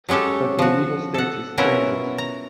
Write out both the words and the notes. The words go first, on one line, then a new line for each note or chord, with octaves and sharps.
But their legal status changes.
F#3 G#3 C#4 G4 A4
F3 F#4
A4 F#5
B2 F#3 C#4 E4 F4 A#4
A#5